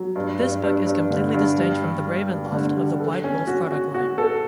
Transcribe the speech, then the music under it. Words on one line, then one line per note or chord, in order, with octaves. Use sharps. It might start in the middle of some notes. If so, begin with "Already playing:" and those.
This book is completely distinct from the Ravenloft of the White Wolf product line.
Already playing: F#3
G2
G2
G2
G2
D3
G2
G3
G3
G3
G3
D3
G3
A4
C#4
F#4
F#4
F#4
A4